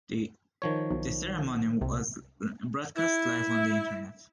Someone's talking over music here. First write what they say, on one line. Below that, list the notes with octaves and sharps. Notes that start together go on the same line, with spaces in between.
The ceremony was broadcast live on the Internet.
D#3 F3 C#5
B1
C2 C3
E4